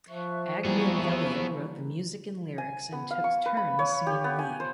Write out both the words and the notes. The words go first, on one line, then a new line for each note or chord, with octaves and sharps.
Agnew and Elliott wrote the music and lyrics and took turns singing lead.
F3 E5 C#6 F#6
E3 G3 A#3 B3 E4 G#4 C5 C#6
G#5
B3
F5
C#6
B4
B5
C#5
G4
B3
G#5
C5